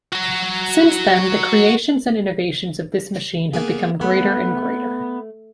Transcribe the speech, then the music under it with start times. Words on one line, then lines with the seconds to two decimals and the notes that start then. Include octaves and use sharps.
Since then the creations and innovations of this machine have become greater and greater.
0.12 F#4 A#5
3.53 A#3 B3 G#4
4.01 A3 B3